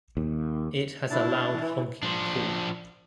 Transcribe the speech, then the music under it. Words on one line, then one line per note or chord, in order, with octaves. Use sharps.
It has a loud honking call.
D#2
B2 D4 E4 A5
E3
F3 D4